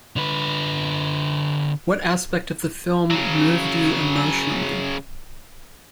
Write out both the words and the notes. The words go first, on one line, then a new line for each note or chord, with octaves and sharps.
What aspect of the film moved you emotionally?
D3 B4
C#3 F#3